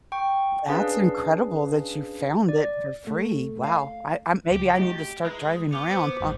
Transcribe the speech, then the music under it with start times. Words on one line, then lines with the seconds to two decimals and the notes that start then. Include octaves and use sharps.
That's incredible that you found it for free. Wow. I I maybe I need to start driving around, huh?
0.12 G5 C#6
0.69 C#4 D4 G#4 B4 F5
2.49 D5
3.07 A3
3.64 F5
4.50 C#2 G4
4.78 A3 D#4 F#4
5.24 G#3 E4 B4 A#5
5.72 B3 D6 F6 G6
5.90 C5
6.20 A1 E2 G2